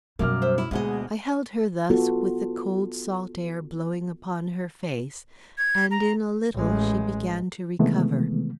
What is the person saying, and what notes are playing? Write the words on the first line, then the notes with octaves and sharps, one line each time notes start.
I held her thus with the cold salt air blowing upon her face, and in a little, she began to recover.
F#2 B2 G3 A#3 D6 F6
C5 E5
E4
D2 B2 G#3 A#3 G#4 D#5
B3 F4 F#4 A4
G#6
A#5
A1 G#3
C3 D#3 E3 G#3 A3 B3